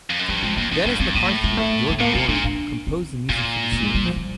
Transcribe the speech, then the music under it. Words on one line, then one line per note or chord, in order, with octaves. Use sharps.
Dennis McCarthy and George Doering composed the music for the series.
F2
F#2
G2 F3
F2 G#3
F2 A#3
F2 D4
G2 C#4
G2 C4
A2 A#3
A3
G#3
A3
A3
A2 A#3
A#2 C4
A#2 D4
D4
C4
A#2 A#3
A3
G#3
G3
F3
G3